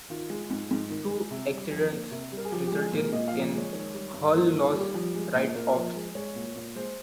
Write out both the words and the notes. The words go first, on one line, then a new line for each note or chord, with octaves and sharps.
Two accidents resulted in hull loss write-offs.
D#3 F4
G#3
G#2
G#2
D#3
G#3
C3
G3
F2
A#3
C3
G3
A#4
G#4
F3 G4
G#3 G4
G#4
A#2 A#4
A#2 D#5
F3 F5
G#3
C#5
D#3 C#5
G3
G2
A#3 C5
D#3 A#4
F4
G3
G4
F3
G#3
A#2
A#2 A#4
F3
G#3
G#3 C#5
A#2
A#2
G#3 C5